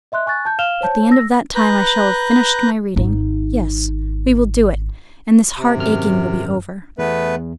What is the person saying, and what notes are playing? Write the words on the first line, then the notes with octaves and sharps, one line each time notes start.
At the end of that time I shall have finished my reading--yes, we will do it, and this heart-aching will be over.
D#5 E5 C6 F#6
G#5 C#6 F#6 A6
A5 G6
F5 F6 E7 F7 G7
C5 C#5 A5 G6
E6 A#6
B4 A#5 F#6 G6
G#1 D#4
C3
G#1 F#2 F6
E2 A3 B3 B4